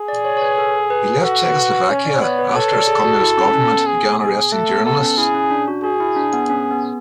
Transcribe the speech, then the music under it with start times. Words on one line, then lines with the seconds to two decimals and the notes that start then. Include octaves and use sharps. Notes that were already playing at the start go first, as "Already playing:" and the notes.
He left Czechoslovakia after its Communist government began arresting journalists.
Already playing: G#4
0.08 D5
0.25 C#5
0.37 C#5
0.41 B4
0.58 A4
0.90 B4
1.23 F#4 A4
1.46 B4
1.89 C#4 C#5
2.06 D5
2.22 B3 C#5
2.39 B4
2.55 A4 C#5
2.72 D5
2.87 G#4
3.05 F#4
3.21 E4
3.37 C#4
3.53 C#4
3.70 B3
3.87 G#4
4.20 G#4
4.52 A3 A4
4.69 B3
4.85 B3 A4
5.02 C#4
5.18 E4 G#4
5.35 C#4
5.51 D4
5.68 F#4
5.84 F#4 G#4
6.00 E4
6.16 D4
6.33 B3
6.50 C#4
6.71 B3